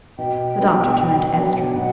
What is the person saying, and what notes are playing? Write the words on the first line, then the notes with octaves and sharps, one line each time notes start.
The doctor turned to Estra.
B2 G5
F#3 B3 D4
B2
F#3 B3 D4
B2 F#5